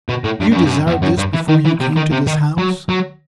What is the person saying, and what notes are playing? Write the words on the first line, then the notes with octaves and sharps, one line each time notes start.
You desired this before you came to this house?
B2
A2
G2
G2
F#2
G2
F#2
E2
F#2
G2
E3
D#3
E3
C3
D#3
C3
D#3
F#3
F#3